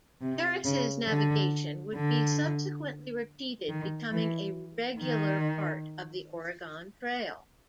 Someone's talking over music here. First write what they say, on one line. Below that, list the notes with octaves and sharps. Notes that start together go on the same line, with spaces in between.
Harris' navigation would be subsequently repeated, becoming a regular part of the Oregon Trail.
C3
C#3
D3
D3
D#3
E3
D#3